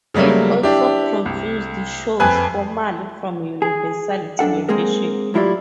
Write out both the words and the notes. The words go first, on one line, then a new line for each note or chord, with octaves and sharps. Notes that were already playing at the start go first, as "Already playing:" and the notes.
It also produced shows formerly from Universal Television.
C#3 F#3 G3 A3 A#3
D4 E4 G4
C2
F2 B4 G#5 F#6
G#4
F#2 D4 A4 F#5
G#3 A#3 C4 G#4 A#4
A2 F#3 E4 F4 G4 D5